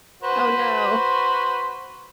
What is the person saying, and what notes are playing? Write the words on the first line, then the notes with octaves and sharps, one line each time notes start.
Oh, no.
F#4 B4 C5